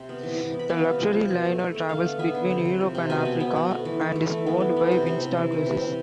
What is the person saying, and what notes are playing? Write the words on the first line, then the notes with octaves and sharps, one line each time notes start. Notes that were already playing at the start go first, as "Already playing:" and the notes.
The luxury liner travels between Europe and Africa, and is owned by Windstar Cruises.
Already playing: C3
B3
E3
E3
B3
B5
B3 F5 A5
C3
F3
F3
B2
A3
A3
A3
D3 F5 A5
B3
B3 E5 G#5
D3
C3
C3
F3
C3
B2 E5 G#5
B3
B3
B3
A3
E3
E3
A3
E3
B3
E3
B3
C3
C3
C3
E3
E3
C3
C3